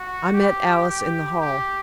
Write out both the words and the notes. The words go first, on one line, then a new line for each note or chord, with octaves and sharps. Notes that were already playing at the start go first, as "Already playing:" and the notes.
I met Alice in the hall.
Already playing: F#4
G4
G4
G4